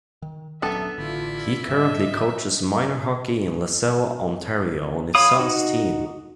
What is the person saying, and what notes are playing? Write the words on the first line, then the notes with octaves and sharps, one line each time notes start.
He currently coaches Minor Hockey in Lasalle, Ontario on his sons team.
D#3
D#1 F#3 B3 C#4 D4 A4 E5
A1 D3 E4 F4 D5
G#2 G3 C4 G4 D#5 E5
C#5 F5 B5 D#6
D#4 F#4